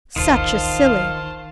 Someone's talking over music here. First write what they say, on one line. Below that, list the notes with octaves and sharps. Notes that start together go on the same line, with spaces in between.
Such a silly!
D1 A1 D#2 D#3 F4 C5 F5 A5